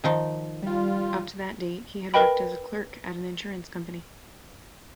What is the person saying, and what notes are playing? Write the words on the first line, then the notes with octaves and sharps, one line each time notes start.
Up to that date, he had worked as a clerk at an insurance company.
D#3 F3 D#4
G3 F4
A#4 B4 D#5 G5 B5